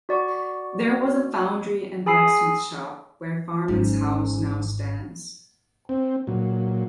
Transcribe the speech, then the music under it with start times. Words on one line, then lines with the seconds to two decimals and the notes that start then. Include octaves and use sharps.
There was a foundry and blacksmith shop where Farman's house now stands.
0.09 F#4 D5 C#6
2.06 G#4 G#5 B5 D#6 E6 C7
3.68 G#1 G#2 C#4
5.89 C4
6.27 A#2 F#3